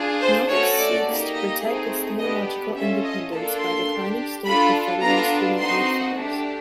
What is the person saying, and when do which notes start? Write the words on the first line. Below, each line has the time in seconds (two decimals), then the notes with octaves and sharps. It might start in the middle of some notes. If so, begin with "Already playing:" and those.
Knox seeks to protect its theological independence by declining state or federal student-aid funds.
Already playing: D4 F4 G#4
0.21 C5
0.48 A3 C#4 F#4 A4 C#5
0.77 D5
1.06 A#3 D#4 G4
1.34 D#5
1.62 A3 C4 D#4 G#4
2.19 B3 D4 G4 D#5
2.75 C#4 F4 A4 E5
3.04 D#5
3.32 A#3 D4 F4 A4 A5
3.60 C6
3.89 D4 G4
4.45 D4 F4 A4 B5
5.02 B3 D4 F4 A4 A#5
5.59 C4 D#4 F#4 C6
6.15 A3 D4 G4